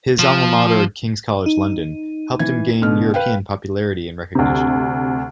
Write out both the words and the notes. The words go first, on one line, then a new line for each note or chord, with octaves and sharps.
His alma mater, King's College London, helped him gain European popularity and recognition.
F3
D#4
E3 G#6
B2 D3 F6
B4 F5 G5
D2 C3